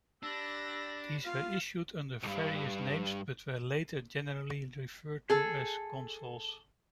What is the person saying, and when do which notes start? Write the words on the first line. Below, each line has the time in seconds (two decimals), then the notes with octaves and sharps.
These were issued under various names but were later generally referred to as Consols.
0.23 D4 G4 B5 E6 A#6
1.25 B3 F4 F5
2.23 B1 G2
5.30 G#4 A4